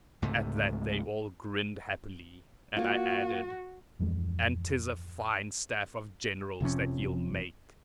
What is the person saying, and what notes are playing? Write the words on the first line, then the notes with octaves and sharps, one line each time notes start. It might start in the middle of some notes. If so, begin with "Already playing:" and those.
At that they all grinned happily, and I added: "And 'tis a fine staff of generals that ye'll make!"
C#2 G#2 C3 A3
A#3 F4 F#4
D1 F2 E3 G#3
F1 C3 F3 C#4